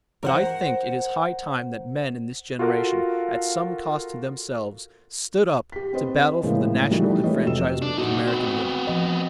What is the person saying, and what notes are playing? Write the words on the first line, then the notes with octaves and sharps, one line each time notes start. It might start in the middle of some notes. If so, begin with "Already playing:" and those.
But I think it is high time that men in this generation, at some cost to themselves, stood up to battle for the national enfranchisement of American women.
A#4 C5 F#5
F4 F#4 A4 A#4 F5
G4 B6
C4 B4 C5 D#5
A2 C#3 G#3 A#3
E3 F3 G3 A3 D#4 F#4
G#3 A3 G4 B4 C#5 D#5
F1 C3 F#3 E6 E7
D4
A#2 D#4 F#4
B3 C4
F3 D#5